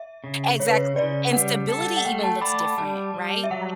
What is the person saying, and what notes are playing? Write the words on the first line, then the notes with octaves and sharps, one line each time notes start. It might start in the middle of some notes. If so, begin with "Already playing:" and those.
exactly, and stability even looks different, right, like,
Already playing: E5
C#3
C#3 C#5
B4
C#5
C#3 D5
G3 F#5
A4
F#5
A3 G5
A5
D5 B5
B5
G3 A5
G3
E5
F#3 F#5